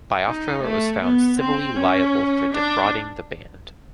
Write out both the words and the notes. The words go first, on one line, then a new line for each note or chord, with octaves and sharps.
Biafra was found civilly liable for defrauding the band.
D#4
A3
B3
C4
C#4
D4